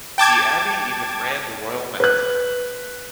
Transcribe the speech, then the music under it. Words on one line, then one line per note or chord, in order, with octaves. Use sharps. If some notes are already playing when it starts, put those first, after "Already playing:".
The Abbey even ran the Royal Mint.
G5 A5 D6 G#6
B4 F#6